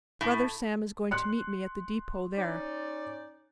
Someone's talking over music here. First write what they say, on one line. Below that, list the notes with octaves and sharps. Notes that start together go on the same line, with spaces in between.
Brother Sam is going to meet me at the depot there.
A2
C6 F#6 C#7
C#4 D#4 D5